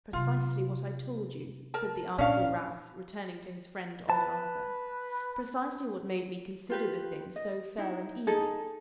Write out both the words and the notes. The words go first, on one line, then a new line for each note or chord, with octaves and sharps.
'Precisely what I told you,' said the artful Ralph, turning to his friend, old Arthur. 'Precisely what made me consider the thing so fair and easy.
C3 F#3 F4
A#4 A5
A#2 C#4 D4 F5
B4 A5
F4 G4 B4
D#5
D#4 E4
D#4 G#4 A4